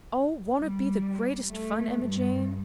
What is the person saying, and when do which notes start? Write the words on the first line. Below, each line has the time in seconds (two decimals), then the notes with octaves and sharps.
Oh! won't it be the greatest fun, Emma Jane?
0.61 G3
1.47 A3
2.01 G2